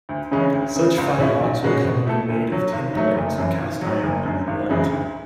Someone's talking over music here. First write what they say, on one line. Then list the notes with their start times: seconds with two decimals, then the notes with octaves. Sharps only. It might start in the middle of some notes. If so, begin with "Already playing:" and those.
Such fire marks were commonly made of tinplate, cast iron and lead.
0.09 D2
0.31 C#3 E3 G#3 C#4
0.53 D2
0.76 C#3 E3
0.98 C#2
1.18 B2 G#3 C#4 E4
1.40 B1
1.63 B2 G#3 C#4 F#4
1.85 B2
2.06 A3 E4 A4
2.29 D2
2.50 D3 F#3
2.73 G#1
2.94 G#2 F#3 A3
3.16 F#1
3.38 F#2 E3
3.60 G#1
3.81 F#3
3.87 G#2
4.04 F#1
4.25 F#2 D3
4.47 G#1
4.69 F#2 C#3 E3 G#3
4.91 D2